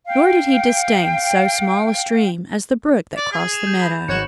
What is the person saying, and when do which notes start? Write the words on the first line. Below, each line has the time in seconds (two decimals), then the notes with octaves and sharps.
Nor did he disdain so small a stream as the brook that crossed the meadow.
0.07 F5 G5
3.17 D5
3.32 G#4
3.53 E7 F7
3.67 G6
3.82 B5 G6
4.08 G#1 F#4 C#5 C#7 E7 F#7